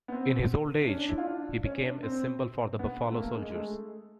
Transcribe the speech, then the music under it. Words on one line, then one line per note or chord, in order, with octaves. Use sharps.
In his old age, he became a symbol for the Buffalo Soldiers.
B3
C4
D4
C#4
D4
E4
F4
D4
C#4
D4
C4
B3
A3
A#3
G#3
G#3
A3